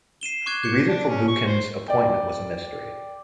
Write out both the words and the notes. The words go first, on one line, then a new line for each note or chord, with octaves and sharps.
The reason for Buchan's appointment was a mystery.
C7 D#7 E7 G7
C#6 D6 F#6 G#6
G6 C#7
D4
C#4
C#6
C5
D5 G5